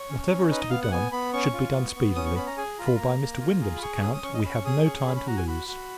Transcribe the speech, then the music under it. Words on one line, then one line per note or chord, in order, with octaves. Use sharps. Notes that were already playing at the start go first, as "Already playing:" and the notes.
Whatever is to be done, should be done speedily; for, by Mr. Wyndham's account, we have no time to lose.
Already playing: C#5
C#4
C#4
D#4 B4
D#5
B3 F5
F#5
B3 G#5
B3 B5
C#4 C#6
F4
B3
B3
C#4 D#6
C#6
C#4 B5
A#5
G#4 G#5
F4 A#5
B5
A#3 A#5
A#3
F4
G#4
B5
G#4 C#6
C#6
C#4 D#6
D#6
C#4 C#6
D#5
C#4 B5
C#6
G#4 D#6
C#4 C#6
C#4 B5
B5
F#4 A#5
G#5
F#4 B5
F#4